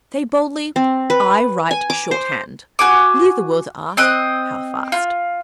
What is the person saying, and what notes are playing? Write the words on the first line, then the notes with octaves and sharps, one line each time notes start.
Say boldly, "I write shorthand." Leave the world to ask, "How fast?"
C4
B4
G#5
D6
C5
F#4 G#5 D6
C4 D#5 F#6
F4